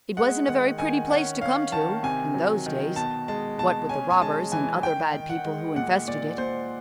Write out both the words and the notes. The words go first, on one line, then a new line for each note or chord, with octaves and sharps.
It wasn't a very pretty place to come to in those days, what with the robbers and other bad people who infested it.
G#3 F#5
D#3 F#5
D#3 G#5
C#4 F#5
C#4 F5
D#3 A5
C3 G#5
F#3
D#3
B2 A5
G#3 A5
B2 A5
C#4 G#5
G#5
G#3 A5
E3 G#5
D#3 G5
D#3
F#5
G#3
A#2 F#5
A#2 D5
A#2 C5